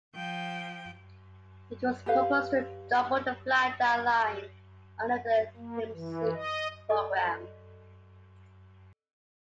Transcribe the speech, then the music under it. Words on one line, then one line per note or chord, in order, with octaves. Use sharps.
It was proposed to double the flydown line under the Thameslink Programme.
F3 G5
G4 A4 B4 F5
A#3
E3
D#5
A4 D5 D#5 C#6